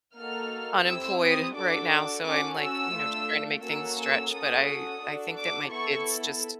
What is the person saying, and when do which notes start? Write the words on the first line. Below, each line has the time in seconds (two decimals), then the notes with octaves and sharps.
unemployed right now so, I'm, like, you know, just trying to make things stretch, but I I think that my kids just
0.16 A#3 D#4 F#4 A4 F6
0.86 C4 E4 G4 E6
1.21 D#6
1.56 D4 F#4 A4 D6
2.24 C#4 F#4 A4 D6
2.60 E6
2.94 A3 D4 F4 A4
3.64 A#3 C#4 F#4 A4 E6
3.98 E6
4.33 C#4 F#4 A4 D#6
5.03 D4 F#4 A4
5.37 D6
5.72 B3 E4 A4 C#6